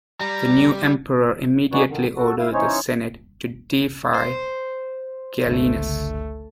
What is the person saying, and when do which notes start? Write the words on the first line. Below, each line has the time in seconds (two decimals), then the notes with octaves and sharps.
The new Emperor immediately ordered the senate to deify Gallienus.
0.21 G3 A#5
1.72 C#4 D#4 F#4 B4 C#5 D5
1.89 D3 D#3
2.16 F#4 A4
2.38 E4 F5
2.53 E3 C#4 D#4 C5 C#5
4.15 C5
5.46 G1 C#2 D3 A3